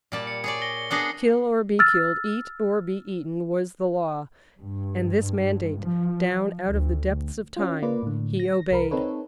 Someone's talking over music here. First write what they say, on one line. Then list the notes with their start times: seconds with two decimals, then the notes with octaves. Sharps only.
Kill or be killed, eat or be eaten, was the law; and this mandate, down out of the depths of Time, he obeyed.
0.12 A#2 G3 A5
0.27 C#7
0.44 G#4 C#5 D5
0.62 A#6 G7
0.91 B3 D4 G#4 A#6 C7 C#7
1.79 E6 F6 A6
4.58 G2
5.81 F3
6.66 D2
7.56 C#4 F4
7.82 A#3 F4 B4 D5
8.03 A2 D3
8.40 A#6
8.71 C2 A#4 B5
8.91 C4 D#4 A4 B4 C#5